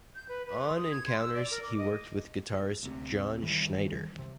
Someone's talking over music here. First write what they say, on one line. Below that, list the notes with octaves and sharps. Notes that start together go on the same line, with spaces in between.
On Encounters he worked with guitarist John Schneider.
G6
B4
B4
C6
D#6
G#6
C6
E6
D5
A#4
D6
D#5
D2 C3
D#3 E3 G3
C3